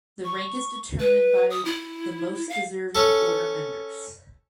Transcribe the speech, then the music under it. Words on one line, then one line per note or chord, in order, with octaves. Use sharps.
The rank is determined by the most deserving order members.
C#6
B4
D#6
E4
F5
C#4 A4